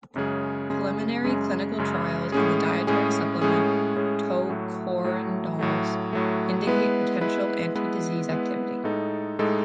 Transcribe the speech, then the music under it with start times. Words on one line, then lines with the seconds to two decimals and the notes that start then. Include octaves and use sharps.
Preliminary clinical trials on dietary supplement tocotrienols indicate potential for anti-disease activity.
0.16 F#2 C#3 G#3 C#4 G#4
0.70 F#2 C#3 G#3 C#4 G#4
1.24 F#2 C#3 G#3 C#4 G#4
1.78 F#2 C#3 G#3 C#4 G#4
2.32 A2 G#3 C#4 G#4
2.87 A2 G#3 C#4 G#4
3.41 A2 G#3 C#4 G#4
3.96 A2 G#3 C#4 G#4
4.50 A2 F#3 A3
5.04 A2 F#3 A3
5.59 A2 F#3 A3
6.13 A2 F#3 A3
6.67 G#3 B3 E4 B4
7.21 G#3 B3 E4 B4
7.75 G#3 B3 E4 B4
8.30 G#3 B3 E4 B4
8.84 A2 G#3 D#4 A4
9.39 A2 G#3 D#4 A4